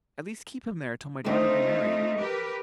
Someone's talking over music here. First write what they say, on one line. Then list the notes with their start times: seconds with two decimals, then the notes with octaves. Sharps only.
"At least keep him there till my daughter be married."
1.25 A3 C4 D4 D#4 F4 D#5
2.19 G4 A#4 B4